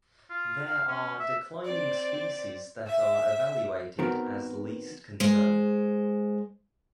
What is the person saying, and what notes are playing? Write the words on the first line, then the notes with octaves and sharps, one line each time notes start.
There are declining species that are evaluated as Least Concern.
F4
F5
C#4
E5
C4 D5
E5
D#3 B3 C4 F#4 A#4
G#3 C5